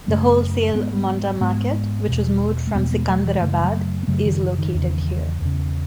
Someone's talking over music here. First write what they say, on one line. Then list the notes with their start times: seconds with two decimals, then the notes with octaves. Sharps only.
The wholesale 'Monda Market' which was moved from Secunderabad is located here.
0.08 F#2 C#3 A3 C#4
0.75 G#2 G#3 B3
1.41 G#2 G#3 B3
2.08 E2 B2
2.67 A3
2.74 E2 B2 G#3 B3
2.91 G#3 B3
3.08 F#3 A3
3.25 E3 G#3
3.41 F#2 C#3 A3
3.52 G#3
3.64 F#3 A3
4.03 B3
4.08 F#2 C#3 F#3 A3
4.25 D#3 F#3
4.41 E3
4.58 D#3
4.74 E2 C#3
5.41 E2 C#3